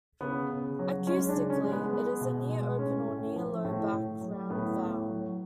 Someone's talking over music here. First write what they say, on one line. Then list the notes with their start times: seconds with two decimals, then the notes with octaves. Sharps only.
Acoustically, it is a "near-open" or "near-low back rounded vowel".
0.21 C#3 B3
0.50 C#3
0.79 F#3
1.07 G#3 C#4
1.29 D4
1.35 C#3
1.50 C#4
1.64 G#3
1.72 B3
1.93 G#3 B3
2.21 B2
2.50 G#3
2.79 A2 C#4
3.08 A2
3.36 F3
3.65 A2
3.93 A2
4.21 F#3
4.50 A2 B3
4.79 A2
5.08 F#3